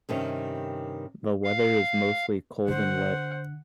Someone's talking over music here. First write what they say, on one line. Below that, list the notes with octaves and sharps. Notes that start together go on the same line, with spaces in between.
The weather is mostly cold and wet.
G2 C3 D#3 C#4
F5
D3 C5 F#5